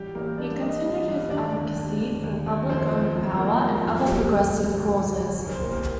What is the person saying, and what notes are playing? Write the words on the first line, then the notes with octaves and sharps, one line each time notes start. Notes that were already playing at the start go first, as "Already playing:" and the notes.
He continued his advocacy for public owned power, and other progressive causes.
Already playing: A1 G3 G4
A1 A#3 A#4
G2 D4 D5
G2 D#4 D#5
A1
G2
D#2 D4 D5
D#2
D#2
D#2
D#2
D#2
F2 C4 C5
F3
F3
F3 A#3 A#4
F3
F2
D2 G3 G4
D2
C3
D2
D2
D2
C2 A#4
C5
A#3 A#4
C2